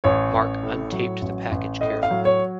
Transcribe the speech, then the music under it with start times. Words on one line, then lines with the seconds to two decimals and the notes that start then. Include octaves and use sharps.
Mark untaped the package carefully.
0.04 A1 C#5
0.33 A1
0.63 A2
0.92 F#3
1.22 A1
1.51 A1
1.81 A2 D#5
2.03 F5
2.11 F#3
2.25 C#5